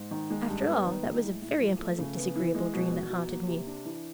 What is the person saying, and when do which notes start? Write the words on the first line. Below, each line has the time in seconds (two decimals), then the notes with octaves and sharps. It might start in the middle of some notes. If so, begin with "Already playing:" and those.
After all, that was a very unpleasant, disagreeable dream that haunted me!
Already playing: G#2
0.11 D#3
0.30 G#3
0.49 G2
0.68 B3
0.86 D#3
1.04 G#3
1.24 A2
1.42 A2
1.61 F3
1.80 A3
1.98 C#3
2.17 B3
2.36 E3
2.55 G#3
2.73 B2
2.92 B2
3.10 F#3
3.29 A#3
3.47 C3
3.67 D4
3.85 E3